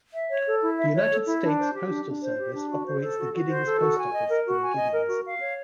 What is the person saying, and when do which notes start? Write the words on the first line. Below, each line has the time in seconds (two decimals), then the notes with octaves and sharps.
The United States Postal Service operates the Giddings Post Office in Giddings.
0.15 E5
0.31 C#5
0.47 A4
0.62 E4
0.78 E5
0.94 C#5
1.10 A4
1.26 E4
1.42 D4
1.58 C5
1.74 G4
1.90 D4
2.06 D4
2.22 C5
2.38 G4
2.54 D4
2.69 F#4
2.85 C5
3.02 A4
3.18 F#4
3.33 F#4
3.49 C5
3.65 A4
3.81 F#4
3.97 G#5
4.13 D#5
4.29 A#4
4.45 F#4
4.61 G#5
4.76 D#5
4.92 A#4
5.08 F#4
5.25 F5
5.41 C#5